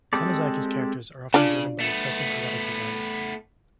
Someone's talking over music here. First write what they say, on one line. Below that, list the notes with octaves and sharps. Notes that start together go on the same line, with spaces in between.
Tanizaki's characters are often driven by obsessive erotic desires.
G#3 C4 G4 A4 D5
C#3 D4 F4 D5
A3 B3